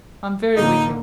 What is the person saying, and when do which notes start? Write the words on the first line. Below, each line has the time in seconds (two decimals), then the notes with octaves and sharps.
'I'm very wicked.
0.56 A2 D3 A#3 D#4